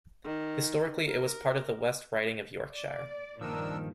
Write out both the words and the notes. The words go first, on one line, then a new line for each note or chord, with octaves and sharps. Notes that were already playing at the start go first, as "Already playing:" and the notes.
Historically it was part of the West Riding of Yorkshire.
D#3
A#4
D5
G2 A#2 D#3 F3 D4 A#4 E6